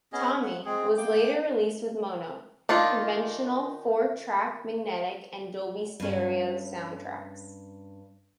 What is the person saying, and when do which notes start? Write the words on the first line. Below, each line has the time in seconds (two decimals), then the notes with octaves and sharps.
"Tommy" was later released with mono, conventional four-track magnetic and Dolby Stereo soundtracks.
0.13 B3 C#4 G#4 D#5
0.42 F#5
0.65 G#3 C4 G#4
0.97 A#3 G5 D6
2.69 D#3 D4 D#4 F4
6.00 G2 C#4